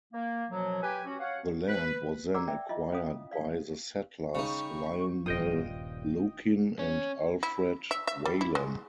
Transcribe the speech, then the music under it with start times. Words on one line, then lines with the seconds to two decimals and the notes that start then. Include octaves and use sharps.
The land was then acquired by the settlers Lionel Lukin and Alfred Waylen.
0.13 A#3
0.50 F#2 B2 F3 F#3
0.83 G4 B4 G#5
1.05 C#4 F#4
1.20 C#5 F5 F#5
1.69 B4
2.34 D5 F#5 A#5 D6 E6
2.48 D5 E5 G5
2.69 E4 F4 D#5 E5
2.92 C#4 F5 D#6
3.31 D5 F5
4.35 C#3 D#4 G5 B5 C#6
5.26 D#1 G2 F4 D#5 G5 D#6
6.79 C#4
7.43 E4
7.91 E5
8.07 E5
8.25 G3
8.41 E4
8.55 G#3